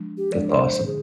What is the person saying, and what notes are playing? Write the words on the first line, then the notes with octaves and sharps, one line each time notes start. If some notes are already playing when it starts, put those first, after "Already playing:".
That's awesome.
Already playing: F3 G#3 D4
G4
F3 G#3 D4 D5
A#4
C5
D3 G#4